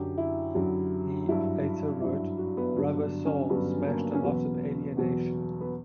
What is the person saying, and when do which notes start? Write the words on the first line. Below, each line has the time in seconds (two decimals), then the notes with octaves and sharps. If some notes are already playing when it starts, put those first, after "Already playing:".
He later wrote: "Rubber Soul" smashed a lot of alienation.
Already playing: F#2 D3 F#3 G4
0.18 E4
0.55 F#2 D3 F#3
1.29 G2 F#3 E4
2.01 G2 F#3 E4
2.38 F#4
2.57 B3
2.76 G2 D3 F#3
3.01 D4
3.26 C#4
3.49 G2 D3 F#3 B3
3.87 A#3
4.14 C#4
4.23 E2 B2 F#3 B3
4.97 E2 B2 F#3
5.61 B3